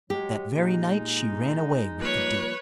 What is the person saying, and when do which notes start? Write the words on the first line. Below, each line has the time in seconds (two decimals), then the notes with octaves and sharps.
That very night she ran away with the duke.
0.10 F#3 G#3 G4
0.56 A#2 G#3 D#4
2.00 F3 G3 A#3 B4 C#5